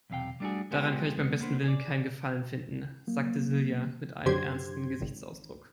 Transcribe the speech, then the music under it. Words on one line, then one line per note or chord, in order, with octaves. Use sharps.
"Daran kann ich beim besten Willen keinen Gefallen finden", sagte Silja mit einem ernsten Gesichtsausdruck.
B1 E2 C3 F5 G5
G3 A3 D4 F4 F#4 G#4
G#3 B3 F4 G4 G#4
D#2 G#3 B3
A#3 B3 D4 C5
G#4 D5
F#3 A#3
F#2 D3 G4 C5 C6 G#6
G#1